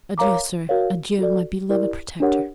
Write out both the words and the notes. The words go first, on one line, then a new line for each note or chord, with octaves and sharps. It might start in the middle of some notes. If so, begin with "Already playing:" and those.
"Adieu, sir, adieu, my beloved protector."
A#4 C#5 F5 A#5 D6
F#4 A#4 C#5 F5
F#4 A4 D5
E4 G4 A#4 D5
D4 G4 A#4 C#5 F#5